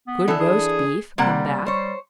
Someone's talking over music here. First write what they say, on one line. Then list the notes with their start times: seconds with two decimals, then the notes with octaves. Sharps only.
Could roast beef come back?
0.07 B3
0.28 E3 D4 A4
0.40 G#4
1.18 C3 G3 A#3 F#5
1.66 G3 C5 C#5